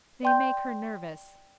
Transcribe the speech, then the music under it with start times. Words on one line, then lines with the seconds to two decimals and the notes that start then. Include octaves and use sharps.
They make her nervous.
0.23 D5 G5 C6 G6